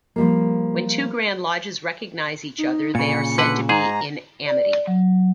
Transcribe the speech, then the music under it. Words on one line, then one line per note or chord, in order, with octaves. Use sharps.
When two Grand Lodges recognize each other they are said to be "in Amity".
F3 G3 A#3
D#4
A#2 C#3 C#7
D3 B4 F#5
G#2 G#4 A#5
D5
F#3